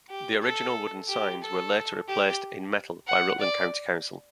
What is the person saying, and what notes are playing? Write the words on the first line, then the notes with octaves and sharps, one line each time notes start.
The original wooden signs were later replaced in metal by Rutland County Council.
G4
A4
G4
A4
G4
F#5
D5